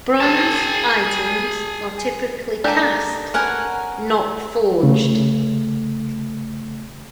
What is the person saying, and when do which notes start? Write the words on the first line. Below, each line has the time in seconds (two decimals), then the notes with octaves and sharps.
Bronze items are typically cast, not forged.
0.21 G#4 A5
2.64 G#3 A#3 D4 G4 A4
3.34 B3 C#4 A#4 F#5 G#5
4.83 C#3 A3